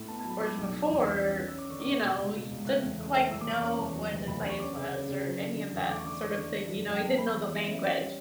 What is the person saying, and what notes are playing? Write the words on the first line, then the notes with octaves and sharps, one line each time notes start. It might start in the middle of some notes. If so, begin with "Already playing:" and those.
Whereas before, you know, he didn't quite know what the glaze was or any of that sort of thing, you know, he didn't know the language.
Already playing: A2
B3 A5
A5
F#3
B5
F#3 D6
B1
G3
E2
C#4 E6
E6
C#4 G6
C#4 F#6
E6
C#4
D6
D3 C#6
D6
D3
C#6
B2 E6
C#2
B2
C#2
A3 F#6
E2
A3
A3
E2 E6
D6
E2
C#6
C#4
E2
F#3
D2
D2 B5
D3 C#6
C#4 D6
C#3
C#4
C#3
F#3
D3
D3
E2
A3 D6
C#6
D3 D6
A3 C#6
D3
E3
F#2
F#2
G5
B3 A5
A3 B5
E3
E3
E5
C#4
E5
G3 C#5
G3